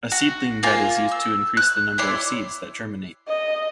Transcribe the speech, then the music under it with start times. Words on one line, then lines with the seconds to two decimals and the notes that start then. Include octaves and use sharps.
A seedling bed is used to increase the number of seeds that germinate.
0.12 F#4
0.63 A#3 F4 G#5
1.11 E6
1.57 F#6
1.98 E4 C#5 D5 C6
3.28 D#5